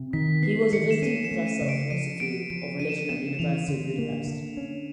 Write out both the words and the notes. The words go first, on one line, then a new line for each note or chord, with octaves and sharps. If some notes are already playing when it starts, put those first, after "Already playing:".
He was visiting professor of philosophy of religion at the University of Budapest.
Already playing: C3
D#3 B6
B3 C7
D#3 C#7
E7
C#4 D#7
E7
A3
D#7
C#3
D7
F3 D#7
B3 D7
F3 D7
D4 D#7
E7
D#7
B3 E7
E7
E3 F7
D3
A#3
D3
C#4